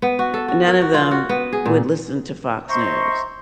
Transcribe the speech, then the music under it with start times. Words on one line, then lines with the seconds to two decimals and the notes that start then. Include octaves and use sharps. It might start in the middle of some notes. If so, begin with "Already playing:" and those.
eh, none of them would listen to Fox News,
0.02 B3
0.19 F#4
0.34 A4
0.48 F#4
0.67 A#4
0.82 F#4
0.94 F4
1.11 F#4
1.29 B3
1.53 G#4
1.66 A#2
2.69 C5 D#5 E5 A#5 C6 C#6